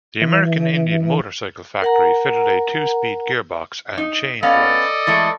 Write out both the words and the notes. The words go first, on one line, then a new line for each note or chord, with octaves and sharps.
The American Indian motorcycle factory fitted a two-speed gearbox and chain-drive.
E3
A#4 F#5 A#5
D#4
B3 C#4 A4 D5 D#5 F5
E3 G#3 A3